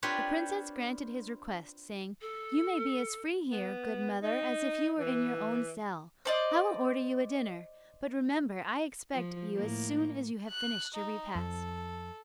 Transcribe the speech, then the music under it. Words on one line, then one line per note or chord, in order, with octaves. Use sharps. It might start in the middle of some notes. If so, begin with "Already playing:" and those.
The princess granted his request, saying, "You may be as free here, good mother, as if you were in your own cell: I will order you a dinner, but remember I expect you as soon as you have finished your repast."
C4 D4 F4 G4 B4 C#5
A4
B3
D#4
E3
C5 D5 D#5
F3
A2 A#3
F#6
D#4
F2 A4